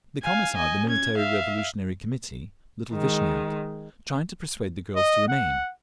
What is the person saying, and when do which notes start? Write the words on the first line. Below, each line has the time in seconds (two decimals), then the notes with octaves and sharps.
The Commissar of the Military Revolutionary Committee, little Vishniak, tried to persuade the girls to remain.
0.23 F5 G#5
0.55 D#5 G#5
0.88 C#4 G#6
1.17 E5 F5
2.94 D#3 G#3
4.96 D#5
5.29 F#5